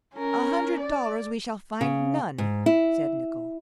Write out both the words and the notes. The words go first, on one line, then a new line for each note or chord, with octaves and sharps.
"A hundred dollars we shall find none!" said Nicholl.
C#4 A#4
D5
C#3
G#2
E4